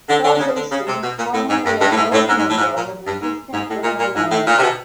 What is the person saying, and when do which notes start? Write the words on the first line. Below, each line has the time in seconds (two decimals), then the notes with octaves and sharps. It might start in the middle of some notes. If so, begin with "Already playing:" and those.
Charles Hastings, formerly of Oldsmobile, was assistant general manager.
0.08 D3
0.24 D3
0.34 D3
0.39 C#3
0.55 D3
0.71 C#3
0.86 C3
1.02 B2
1.17 A#2
1.33 A2
1.48 G#2
1.65 G2
1.80 G2
1.91 A2
1.96 G#2
2.12 A2
2.27 G#2
2.37 G#2
2.48 A2
2.58 G#2
2.75 A#2
3.05 G2
3.21 G#2
3.53 G#2
3.68 A2
3.83 A#2
3.99 A#2
4.15 G#2
4.31 A2
4.47 A#2
4.58 C3
4.63 B2